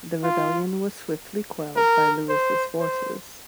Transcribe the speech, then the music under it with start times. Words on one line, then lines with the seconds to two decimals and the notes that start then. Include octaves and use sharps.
The rebellion was swiftly quelled by Louis' forces.
0.24 F4
1.77 A#4
2.29 C5
2.80 C5